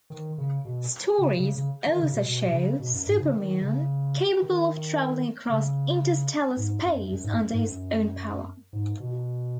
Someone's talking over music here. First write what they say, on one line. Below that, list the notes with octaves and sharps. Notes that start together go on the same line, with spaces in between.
Stories also show Superman capable of traveling across interstellar space under his own power.
D#3
C#3
B2
C#3
C#3
C#3
D#3
C#3
B2
B2
B2
C#3
B2
F#2
G#2
C#3
D#3
C#3
D#3
C#3
G#2
F#2
F#2
G#2
F#2
G#2
F#2
G#2
B2